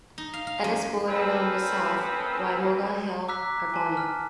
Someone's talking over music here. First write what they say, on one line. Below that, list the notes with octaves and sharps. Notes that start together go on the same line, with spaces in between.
It is bordered on the south by Morgan Hill, California.
D#4
F5
F5
F#2
A#3 C4 C#4 G#4 A4 B4
A#5 D6 E6 F#6 B6
G#5 A5
F6